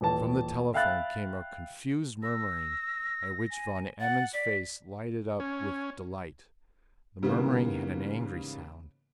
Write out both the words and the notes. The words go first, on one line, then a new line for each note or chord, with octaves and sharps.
From the telephone came a confused murmuring, at which Van Emmon's face lighted up with delight. The murmuring had an angry sound!
D#1 E3 A5
E5 F5 G5 B5 F#6 A6
E6 A#6
G#5
F#5 A6
D5 B6
C#4
G#2 C#3 E3 G3 A#3 B3